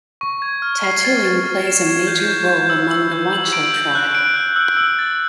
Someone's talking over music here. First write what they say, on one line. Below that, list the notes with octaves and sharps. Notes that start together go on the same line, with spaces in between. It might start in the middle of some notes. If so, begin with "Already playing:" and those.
Tattooing plays a major role among the Wancho tribe.
C#6
G#6
F6
C7
A6
A6
F6
E7
G#6
G6
G6
G6
E6
E6
G6
F#7
D7
G6
F#6
D7
F#6
E6
E6
A6